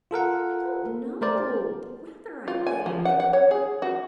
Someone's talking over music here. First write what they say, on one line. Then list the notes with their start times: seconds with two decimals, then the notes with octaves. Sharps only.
'I don't know--the weather, I think.
0.11 F4 A4 A#4 F#5
1.21 A3 A#4 C5 D5
2.48 F4
2.67 G#5
2.86 F3
3.05 F#5
3.20 F#5
3.33 C#5
3.51 G#4
3.82 F#4